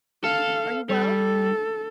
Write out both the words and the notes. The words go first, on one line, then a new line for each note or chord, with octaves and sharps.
"Are you well?"
A4 F5
G3 A4